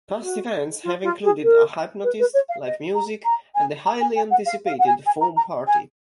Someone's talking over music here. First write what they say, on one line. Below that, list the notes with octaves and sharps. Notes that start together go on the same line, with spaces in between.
Past events have included a hypnotist, live music, and the highly anticipated foam party.
F#4
F4
F4
G#4
A#4
B4
B4
C#5
F5
D#5
A#5
A#5
G#5
A#5
G#5
G#5
F#5
F5
F5
F#5
G#5
G#5
A#5
A#5
G#5